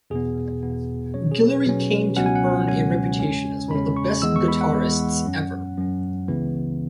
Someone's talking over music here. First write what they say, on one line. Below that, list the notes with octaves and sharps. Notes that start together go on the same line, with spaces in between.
Guillory came to earn a reputation as one of the best guitarists ever.
E2 B2 B3 G#4
E2 B2 B3
B2 F#3 C#4 C#5
G#4
B4
B2 F#3 C#4
C#2 B2 F#3 C#4 F#5
G#5
F#5
C#2 B2 F#3 C#4 G#5
E2 C#3 G#3 C#4
E2 C#3 G#3 C#4 B5
C#6
E2 E3 G#3 B3 E6
C#6
B5
F#5
E2 E3 G#3 B3
F#2 F#3 C#4
F#2 F#3 C#4
C#2 C#3 E3 B3